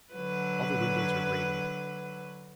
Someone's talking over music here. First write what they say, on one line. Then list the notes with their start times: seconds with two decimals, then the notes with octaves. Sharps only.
All the windows were grated.
0.14 D3 F#3 B4